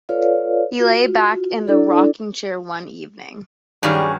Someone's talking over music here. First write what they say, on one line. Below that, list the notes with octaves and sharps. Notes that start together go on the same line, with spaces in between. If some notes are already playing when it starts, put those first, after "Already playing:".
He lay back in the rocking-chair one evening.
F4 A4 B4 C#5 D5 F5
F4 F#4
D4 E4 A4 D5
G2 D#3 F#3 G3 C#4 G#4